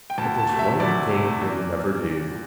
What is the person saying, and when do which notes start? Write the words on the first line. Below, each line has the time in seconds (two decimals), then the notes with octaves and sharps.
But there's one thing he'll never do.
0.10 G5
0.18 D2 A5
0.38 A5
0.49 C3 A3
0.59 E5
0.80 D2 D5
1.10 C3 A3
1.42 E2